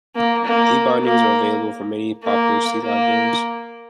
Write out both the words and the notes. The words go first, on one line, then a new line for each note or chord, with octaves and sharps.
D bindings are available for many popular C libraries.
A#3
A#3
A#3
A#3
A#3